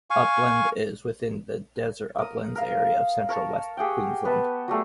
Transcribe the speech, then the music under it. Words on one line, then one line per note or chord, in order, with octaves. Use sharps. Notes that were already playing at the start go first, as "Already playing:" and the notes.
Upland is within the Desert Uplands area of Central West Queensland.
F5 G#5 C#6
A#4 D#6
A#4 F5
A#4 C#5 A5
G4 G#4 F#5 G5
B3 B4 A5
F#3 G3 A3 G#4